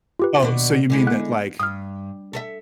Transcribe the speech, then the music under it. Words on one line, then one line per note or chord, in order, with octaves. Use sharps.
Oh, so you mean that, like,
F4 G4 B4
D#2 B2 D4
D3 G#3 E4
B3 F#6
G2 D#6 F6
A4 A#4 E5